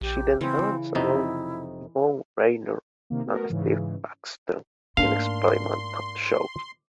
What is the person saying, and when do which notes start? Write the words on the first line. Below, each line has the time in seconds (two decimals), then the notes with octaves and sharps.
She then dances along Yvonne Rainer and Steve Paxton, in experimental shows.
0.01 A#1 G4
0.41 C#3 E3 C4
0.95 F2 C3 D#4 E4
3.10 C3 D#3 A#3
3.26 A3 B3 F#4 A#4
3.49 G#2 C#3 E3
4.97 G#2 A3 A#3 D4 F5 C6